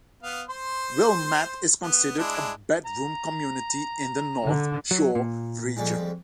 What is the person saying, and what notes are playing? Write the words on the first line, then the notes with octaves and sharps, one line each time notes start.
Wilmette is considered a bedroom community in the North Shore region.
B3 F5
C5 C6
B3
G#3 D4 E4
A#5
D3
F#3
A#2
F2 G3 G#3